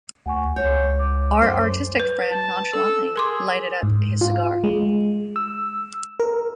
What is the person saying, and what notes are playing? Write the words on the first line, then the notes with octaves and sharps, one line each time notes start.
Our artistic friend nonchalantly lighted up his cigar.
D2 F#5 G#5 C#6
C#2 C#5 G6
D6
F#2 A3 C5
B4
A5
A4 E6
G#4 A#4 C6 D6
G#2
F4
G#3
E6
A#4